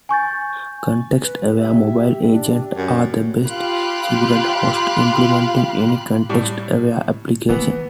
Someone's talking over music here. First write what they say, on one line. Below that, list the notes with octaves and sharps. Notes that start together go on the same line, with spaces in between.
Context-aware mobile agents are a best suited host implementing any context-aware applications.
G#5 C#6 G6 A6
B4
G4 E5
D4
F#2 C#4
F4 G4 F5 B5 F#6
A2 G3
D#3 E3 A#3 B3